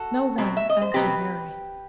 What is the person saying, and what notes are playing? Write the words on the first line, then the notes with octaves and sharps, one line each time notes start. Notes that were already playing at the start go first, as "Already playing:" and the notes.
"No one!" answered Mary.
Already playing: F#4 A4
B2 F#3 C4
E5
D#5
C5
B2 F#3 C4 G4 B4